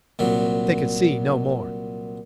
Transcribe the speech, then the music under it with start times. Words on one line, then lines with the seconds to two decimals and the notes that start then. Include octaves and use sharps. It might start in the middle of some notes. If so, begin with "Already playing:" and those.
They could see no more.
0.19 C2 A#2 F#3